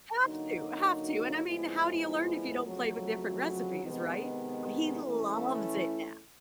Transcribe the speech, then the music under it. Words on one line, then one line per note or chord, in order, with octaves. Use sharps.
Have to, have to, and I mean, how do you learn if you don't play with different recipes, right? But he loves it now.
D3 F#3 A#3 D#4 F#4
A2 F3 G#3 B3 E4
F2 C#3 F#3 A3
C3 D#3 G#3 B3
E3 A3 C#4 E4